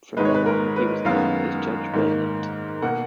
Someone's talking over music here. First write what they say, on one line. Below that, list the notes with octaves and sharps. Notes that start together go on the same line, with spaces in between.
From then on he was known as Judge Burnet.
G#2 D#3 G#3 B4
C#5
B4
A#4
B4
F#2 D#3 G#3 B3 F5
G#2 D#3 A#3
B2 A#3 F#5